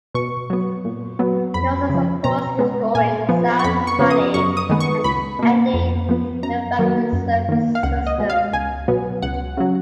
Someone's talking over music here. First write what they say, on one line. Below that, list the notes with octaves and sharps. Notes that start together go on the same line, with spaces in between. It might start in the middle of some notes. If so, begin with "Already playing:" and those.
He also supports restoring sound money and ending the Federal Reserve System.
B2 C#6
F#3 B3
A#2
F#3 B3
F2 B5
C#3 F3
B2 A#5
G#3 B3
A#2 G#5
F3 B3
C#6
F2 B5
C#6
C#3 F3 B3
D#6
F#2 C#6
D#6
D#3 G#3 B3
C#6
C#2 B5
B2 A#3
F2
F3 B3
F#2 A#5
D#3 F#3 A#3
F#2
D#3 A#3
F5
C#2 F#5
D#5
B2 G#3
F5
C#2 G#5
B2 F#3 B3
C#2 F#5
C#3 F#3